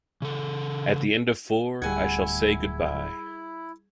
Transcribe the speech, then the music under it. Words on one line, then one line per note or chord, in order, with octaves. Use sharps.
At the end of four, I shall say good-bye.
C#3 A4
D1 G3 E4 G#4 F#5 G#5 G#6